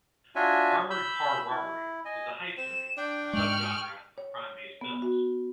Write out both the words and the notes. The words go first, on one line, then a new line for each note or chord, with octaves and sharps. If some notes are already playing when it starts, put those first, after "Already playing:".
"Armored Car Robbery" is a heist movie, a subgenre of crime-based films.
D4 F4 F#4 C#5 E5 G#5
B5 E6 G6
E4
D#5 G#5
C4 E7
D4 G5
G#2 G#3 G5 C#6 F6 F#7
C#5
B3
F#4